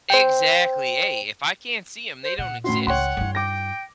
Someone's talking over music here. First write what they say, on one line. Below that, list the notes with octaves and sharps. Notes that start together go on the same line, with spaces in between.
exactly! Hey, if I can't see 'em, they don't exist.
C5 G5
C5
A#2 F#5
A2 C#4 F#4 C6
C#2 C#5 F#5 G5 C6
G2 E4
G5 D6 A#6